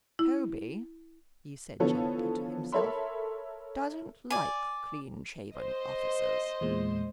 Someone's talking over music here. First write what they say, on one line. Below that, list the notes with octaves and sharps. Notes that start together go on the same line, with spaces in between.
"Toby," he said gently to himself, "doesn't like clean-shaven officers."
E4
D3 E3 F3 B3 A4 C#5
A4 A#4 C#5 E5 B5 C6
D5 G#5
C5 D#5
E2 A#2 G#3